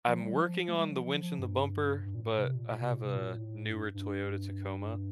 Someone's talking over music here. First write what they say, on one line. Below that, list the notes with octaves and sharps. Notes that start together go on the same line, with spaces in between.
I'm working on the winch and the bumper, but I have a newer Toyota Tacoma,
F3
G3
F3
A3
G3
F3
F3
F3
G2
G2
A#2
A2
C3
A#2
A#2
C3
A#2
C3
A#2
A2
G2
G2